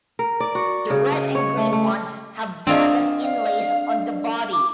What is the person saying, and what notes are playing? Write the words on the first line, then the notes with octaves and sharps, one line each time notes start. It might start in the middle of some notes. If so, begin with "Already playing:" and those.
The red and green ones have dragon inlays on the body.
A#4
D5
F#4
C#3
D#5
C#5
A3
A3
C4 D4 F4 G#4 D5 D#5
F5
D6